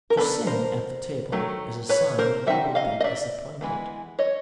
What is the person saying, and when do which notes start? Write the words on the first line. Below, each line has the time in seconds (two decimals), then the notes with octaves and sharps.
To sing at the table is a sign you will be disappointed.
0.10 A#4
0.17 G#3 B3 D4 A4 B4
0.47 A#4 C5
1.32 D#3 F#3 A3
1.89 B4 C#5
2.19 A#4 C5
2.46 G3 C4 D#4 E5 F#5
2.75 D#5 F5
3.00 D#5
3.04 D5 E5
3.61 E3 G#3 B3
4.19 C#5 D#5